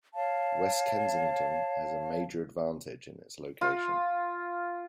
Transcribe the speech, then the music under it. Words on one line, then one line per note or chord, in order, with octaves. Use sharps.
West Kensington has a major advantage in its location.
C#5 F5 A5
F4